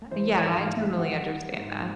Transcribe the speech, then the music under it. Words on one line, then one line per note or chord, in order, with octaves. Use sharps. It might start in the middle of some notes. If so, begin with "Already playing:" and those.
Yea Yeah I totally understand that.
E3 C5
C#5
G#2
F5
E3
E5
G3 F#5
G3
G#2